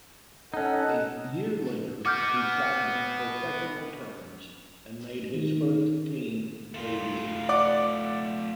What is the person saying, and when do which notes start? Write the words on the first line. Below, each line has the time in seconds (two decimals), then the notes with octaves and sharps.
A year later, he signed professional terms and made his first team debut.
0.54 C#4 D#4 A4 D#5 F#5
2.06 B3 F#4 D6 F6 G6
5.34 D#3
6.74 A3 F4
7.49 D5 F#5 D6